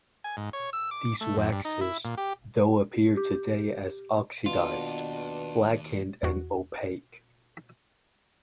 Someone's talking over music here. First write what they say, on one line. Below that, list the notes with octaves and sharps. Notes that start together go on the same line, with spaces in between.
These waxes, though, appear today as oxidized, blackened and opaque.
G#5
G#2
C#5
E6
D6
A3
F2
G2
D#4
E4
A#2
G4
G4
D#2 B2 D4 F4
E2 F#4